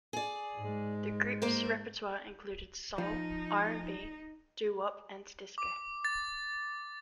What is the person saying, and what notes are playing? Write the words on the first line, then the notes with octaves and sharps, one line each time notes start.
The group's repertoire included soul, R and B, doo-wop, and disco.
G#4 D5
G#2 G#3
A#3 A#4 C5
F3 D#4
D6
A6